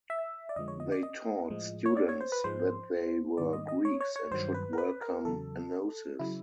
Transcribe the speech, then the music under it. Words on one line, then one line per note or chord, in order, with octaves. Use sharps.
They taught students that they were Greeks and should welcome "enosis".
E5
D5
F2 D3 F3 G#3 D#5
C#5
D#5
D5
D#5
A2 F3 G#3
C#5
D5
C#5
C5
B4
G#2 F3 G#3 C5
G#2 D#3 G3 D5
D#5
D#5
C#5
C#5
C#5
G2 D#3 F#3 C5
B4
A#4
B4
A#4
E2 C#3 F#3 A4
C#3 F#3 E4